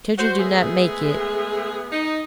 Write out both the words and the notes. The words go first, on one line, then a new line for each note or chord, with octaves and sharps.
Children do not make it.
F#4 C5
G#3 A3 B3 G#4
D#4